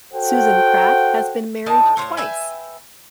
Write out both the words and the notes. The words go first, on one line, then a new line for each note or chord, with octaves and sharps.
Susan Pratt has been married twice.
F#4 A4 C5 F#5 G5
A2 D#4 A5
A2 C5 C#5
B4 E5 G5 G#5